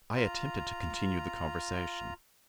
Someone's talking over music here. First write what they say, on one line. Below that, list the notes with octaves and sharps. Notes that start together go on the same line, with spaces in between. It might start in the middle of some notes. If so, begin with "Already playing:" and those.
I attempted to continue the conversation.
F4 A#5